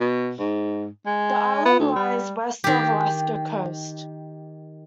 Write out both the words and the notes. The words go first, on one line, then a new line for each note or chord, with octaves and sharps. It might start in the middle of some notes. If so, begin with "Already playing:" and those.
The Island lies west of the Alaska coast.
B2
G#2
G#3
B3
D2
G3
D#3 G4